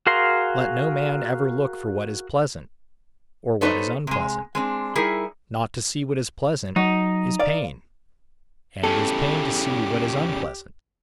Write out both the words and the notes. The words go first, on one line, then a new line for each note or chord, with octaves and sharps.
Let no man ever look for what is pleasant, or what is unpleasant. Not to see what is pleasant is pain, and it is pain to see what is unpleasant.
F#4 G#4 A#4 F5 C6
B3 D#4 A4 C5 C#5
C3 G#3
G#3 C4 D4
G3 D#4 E4 G#4 A#4
F#3 D#4
D5 F5
E2 C#3 G4 A4